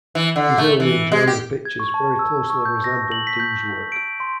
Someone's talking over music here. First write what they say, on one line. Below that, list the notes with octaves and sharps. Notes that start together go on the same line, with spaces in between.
His earlier genre pictures very closely resemble Dou's work.
E3
D3
A3
E3
G#3
G4
G#6
C#6
A5
E6
C#6
G6
A#6
F#7
B6
G6
D7
C6